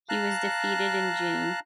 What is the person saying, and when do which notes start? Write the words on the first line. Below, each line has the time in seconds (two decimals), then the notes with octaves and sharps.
He was defeated in June.
0.09 F5 A5 A#5 F#6